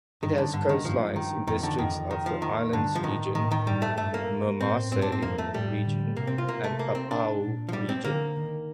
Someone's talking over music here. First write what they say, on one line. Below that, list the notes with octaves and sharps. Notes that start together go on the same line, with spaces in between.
It has coastlines in districts of the Islands Region, Momase Region, and Papua Region.
G2 D#3
D3
G2 D3
D#3
G2 F3
D#3
F2 D#3
D3
F2 D#3
D#3
F3
D#3
G2 D3
F3
A2 D#3
A2 D#3
D#3
G2 G3
A3
G2 A3
A#3
A2 C4
G2 C4
D4
C4
F2 A#3
A3
A2 G3
D3
C3 A#3
C4
F4
C3 A#3
A3
A#3
C4
D4
A#2
F3
G3
C4
D3 A#3
D#3